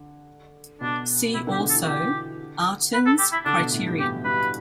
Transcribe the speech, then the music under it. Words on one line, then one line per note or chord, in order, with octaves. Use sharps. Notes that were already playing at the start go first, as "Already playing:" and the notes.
See also: Artin's criterion.
Already playing: D3
B2 D4
B2 E4
D3
G4
D3
A4
E3
D3 G4
B4
A4
G4
E4
D3 D4
B2
A2
G2
E2 G4
G2 B4